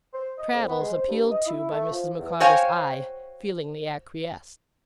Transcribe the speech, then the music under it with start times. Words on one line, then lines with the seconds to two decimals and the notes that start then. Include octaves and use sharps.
Traddles, appealed to by Mrs. Micawber's eye, feelingly acquiesced.
0.14 C5
0.38 D#5
0.54 F2
0.67 B3
0.80 G#3
0.93 C5
1.08 G2
1.32 D#5
1.46 E4
1.71 A3
1.91 F3
2.18 E2
2.40 F#4 C5 C#5 F5 G5 G#5